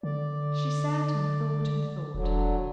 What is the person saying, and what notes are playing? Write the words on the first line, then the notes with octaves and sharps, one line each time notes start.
She sat, and thought, and thought.
D3 D5
E1 D3 F#3